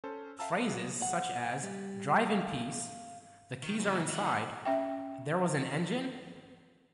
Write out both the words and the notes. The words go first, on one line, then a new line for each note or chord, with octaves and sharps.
Phrases such as, 'Drive in peace, the keys are inside,' 'There was an engine?
C#4 A4 C5
E5 F5 G5 A5 A#5 E6
F#3 G#4 B4 F5
F#5
G3
F5
D#3 C#6 F6
C#3 E3 F#3 G#3 A#3
D#3 A#3 E4 F#4 F#5
G4
C#4 E5 G5